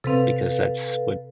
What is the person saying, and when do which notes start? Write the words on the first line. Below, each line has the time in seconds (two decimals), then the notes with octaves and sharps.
because that's what,
0.04 C3 C4 A4 B4 F5